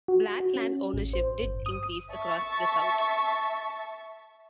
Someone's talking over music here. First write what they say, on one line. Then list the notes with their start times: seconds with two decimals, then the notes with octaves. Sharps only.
Black land ownership did increase across the South.
0.08 F#4
0.40 F#4
0.56 C#4
0.94 A1
1.13 C5
1.43 G1
1.66 D#6
2.10 E5 A5 C#6